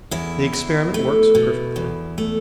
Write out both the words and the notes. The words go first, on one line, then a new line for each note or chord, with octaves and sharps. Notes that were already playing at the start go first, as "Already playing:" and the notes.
The experiment works perfectly.
E2 E4
E2
A3
B2
E2
A3